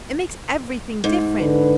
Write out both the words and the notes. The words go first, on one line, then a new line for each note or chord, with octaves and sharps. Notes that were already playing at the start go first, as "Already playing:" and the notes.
It makes everything different.
G#2
D3 B4